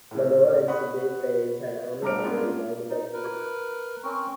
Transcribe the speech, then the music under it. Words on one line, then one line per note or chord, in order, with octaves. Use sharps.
Manila and Subic Bays had Army-operated mine defenses.
A2 C#3
F#5 B5 C#6 D#6 F#6
G2 A3 A#5 D6 F6 D7
G#3 A#3 B3 C#4 D4 F4
D#4
A#4 B4
C4 C#4 A#4 C#6